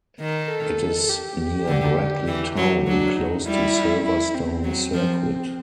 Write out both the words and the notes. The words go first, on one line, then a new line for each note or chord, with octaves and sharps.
It is near Brackley town and close to Silverstone Circuit.
D#3 A#4
A4
G4
D3
E3
F#3
F#3 D4
D#4
G3 E4
E4
C4
F#3
F3